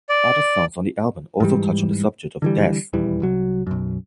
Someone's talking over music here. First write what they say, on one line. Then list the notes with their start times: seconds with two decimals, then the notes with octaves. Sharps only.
Other songs on the album also touch on the subject of death.
0.09 D5
1.40 G#2 E3 G3
2.42 D3 E3 G3
2.93 D#1 E2 E3 G3
3.22 C2 F#3
3.67 B1 F#2